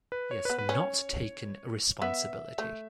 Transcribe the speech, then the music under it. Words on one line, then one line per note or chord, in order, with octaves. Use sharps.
He has not taken responsibility.
B4
C#5
B4
B3
B4
C#4
C#5
B3 E5
A3